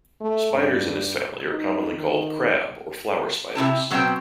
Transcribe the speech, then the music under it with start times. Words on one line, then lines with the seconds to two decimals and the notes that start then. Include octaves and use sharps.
Spiders in this family are commonly called "crab" or "flower" spiders.
0.20 A3
0.52 G2
1.50 D#4
1.95 D#3
3.55 C3 D#4 E4 A5
3.91 B2 F#3 B3 C4 B4 G5